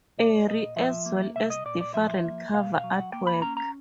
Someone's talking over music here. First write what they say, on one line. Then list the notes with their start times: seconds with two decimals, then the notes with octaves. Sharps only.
Arie, as well as different cover artwork.
0.17 C2 D5
0.47 A#2 D#5
0.76 F3 E5
1.06 A#3
1.36 C2 E5
1.50 D#5
1.65 A#2 D5
1.81 D5
1.94 F3 E5
2.25 A#3
2.53 B2 F5
2.74 F5
2.84 F#3
2.93 F#5
3.13 A#3 G5
3.27 B5
3.42 C#4 A#5
3.57 A#5